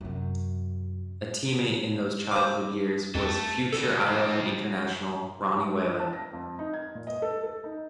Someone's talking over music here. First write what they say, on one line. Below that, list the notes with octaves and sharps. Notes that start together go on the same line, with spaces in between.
A teammate in those childhood years was future Ireland international Ronnie Whelan.
F#2 C3
C5 D6
F2 A3 A4
D2 G3 A4
F3 C4
G4
G2
A5
A#6
F2
D#4
G#6
A#2
D#5
A4
A4
D#4